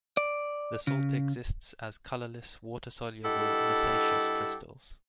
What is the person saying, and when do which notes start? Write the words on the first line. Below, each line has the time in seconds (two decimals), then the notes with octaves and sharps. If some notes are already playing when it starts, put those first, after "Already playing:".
The salt exists as colourless, water-soluble, micaceous crystals.
0.17 D5
0.87 C#3
3.24 G2 E4 G4 A4 D#5 F#5